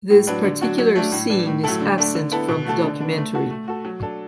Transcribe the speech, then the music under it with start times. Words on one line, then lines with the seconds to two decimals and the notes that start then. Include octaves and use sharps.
This particular scene is absent from the documentary.
0.10 A2
0.27 F#3 D4 B4
0.44 D3
0.61 F#3 D4 F#4
0.78 F#3
0.96 A3 D4
1.12 A2
1.30 E3 D4
1.46 A2
1.64 F#3 A3 E4 A4
1.80 D3
1.98 A3 D4 A4
2.15 D3
2.32 B3 E4 A4
2.48 B2
2.65 A3 F#4 A4
2.82 D3
3.00 B3 D4
3.18 A3
3.35 F#4 A4
3.51 A3
3.68 F#4 A4
3.85 F#3
4.02 D4 A4